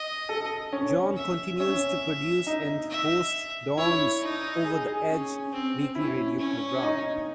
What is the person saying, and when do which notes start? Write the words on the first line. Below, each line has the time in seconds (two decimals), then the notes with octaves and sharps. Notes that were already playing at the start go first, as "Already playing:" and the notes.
Jon continues to produce and host Don's "Over the Edge" weekly radio program.
Already playing: D#5
0.29 A4
0.73 C#4
1.17 E5
1.59 C#4 E5
2.47 D#4
2.90 E5
3.77 E4 C#5
4.21 D#4
4.65 G#4
4.87 G#4
5.09 C#4
5.52 C4
5.95 C#4 E4
6.39 C#4
6.83 D#4